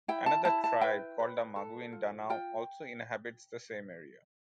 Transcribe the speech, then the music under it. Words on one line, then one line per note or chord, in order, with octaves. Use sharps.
Another tribe called the Maguindanao also inhabits the same area.
E4 G5
A5
E4 A5
A5
B4 G5
B4
A4
F4
F4 G5